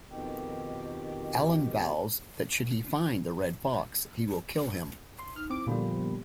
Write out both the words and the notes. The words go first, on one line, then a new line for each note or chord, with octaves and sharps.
Alan vows that should he find the "Red Fox" he will kill him.
F2 B2 D#3 G4
C6
D#4 F6
C4 E4 D6
A#2 D3 F3 G3 B3 G4